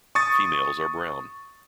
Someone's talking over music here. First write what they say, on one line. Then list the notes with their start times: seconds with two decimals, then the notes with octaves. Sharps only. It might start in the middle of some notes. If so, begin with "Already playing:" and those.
Females are brown.
0.15 C#6 D#6 A6